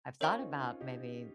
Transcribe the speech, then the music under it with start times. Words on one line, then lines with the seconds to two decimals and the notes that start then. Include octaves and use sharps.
I've thought about maybe
0.20 C#4 F4 A#4 C#5 F5 G#5 C#6
0.40 C4 D#4
0.60 C#4 F4
0.81 D#4 G4